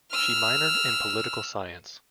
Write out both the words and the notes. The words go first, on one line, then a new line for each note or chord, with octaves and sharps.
She minored in political science.
E6 F6